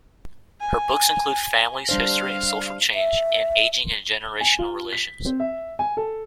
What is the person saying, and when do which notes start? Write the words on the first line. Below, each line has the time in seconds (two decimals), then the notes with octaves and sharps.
Her books include "Families, History and Social Change" and "Aging and Generational Relations".
0.61 G#5
1.89 G3 D4 C5 F5
2.95 E5
4.41 G#5
4.59 F4
4.93 B6
5.25 C4
5.40 E5
5.79 G#5
5.97 A4